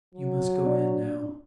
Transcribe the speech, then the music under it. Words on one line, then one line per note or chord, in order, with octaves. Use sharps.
"You must go in now!"
F#3
D4